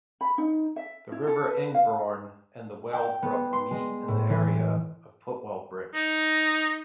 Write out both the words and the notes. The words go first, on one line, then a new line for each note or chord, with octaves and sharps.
The River Ingrebourne and the Weald Brook meet in the area of Putwell Bridge.
B5
D#4
E5
E4
A4
B4
F5
G5
B3
C6
G#3
A2
E3
D#4